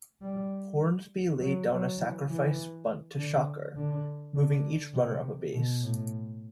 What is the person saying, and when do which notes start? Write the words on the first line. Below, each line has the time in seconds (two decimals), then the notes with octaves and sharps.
Hornsby laid down a sacrifice bunt to Shocker, moving each runner up a base.
0.21 G3
1.40 F#3
1.69 F#3
1.98 E3
2.28 E3
3.16 D3
3.75 D3
4.35 D3
4.93 C3
5.52 B2
5.82 A2